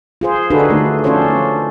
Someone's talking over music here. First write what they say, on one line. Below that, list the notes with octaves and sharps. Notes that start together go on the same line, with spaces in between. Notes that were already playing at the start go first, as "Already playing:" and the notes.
Cool, cool.
F4 G#4 C5
D4 D#4 F#4 G#4 A4 B4
D3 A3
C#4 D4 F4 A4 C5 C#5